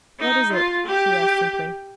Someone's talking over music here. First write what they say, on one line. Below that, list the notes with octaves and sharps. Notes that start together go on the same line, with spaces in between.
"What is it?" she asked simply.
D#4
F4
G4